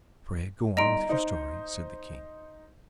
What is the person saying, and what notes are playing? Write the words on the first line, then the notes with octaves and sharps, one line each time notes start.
"Pray go on with your story," said the King.
G1 D#4 D#5 A#5 C6 D7
D#4 C5